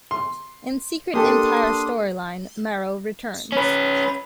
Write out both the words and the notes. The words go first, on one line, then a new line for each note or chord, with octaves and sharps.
In Secret Empire storyline, Marrow returns.
C6
A#3 D4 G4 A4 C6 D#6
C#4 B4